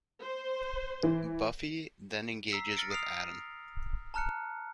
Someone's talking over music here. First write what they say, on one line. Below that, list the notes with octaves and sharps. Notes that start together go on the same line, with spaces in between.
Buffy then engages with Adam.
C5
E3
A#5 E6 B6 C7
F6 A6 A#6 C#7 D7
D#6 F6 C7 D7 F7
A5 A#5 F6 F#6 C#7